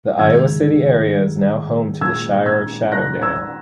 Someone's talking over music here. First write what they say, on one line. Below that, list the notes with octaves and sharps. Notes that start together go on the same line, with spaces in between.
The Iowa City area is now home to the Shire of Shadowdale.
G#2 D#3 G#3 E6 G#6
A#2 G#3 E6 G#6
E6 G#6
F#6 A#6
E6 G#6